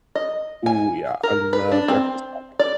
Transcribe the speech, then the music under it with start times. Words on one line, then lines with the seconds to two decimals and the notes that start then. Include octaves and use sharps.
Ooh, yeah, I love dark roast coffee.
0.15 D#5
0.66 G#5
1.23 A#4
1.53 B4
1.72 D4
1.88 C4
2.59 D5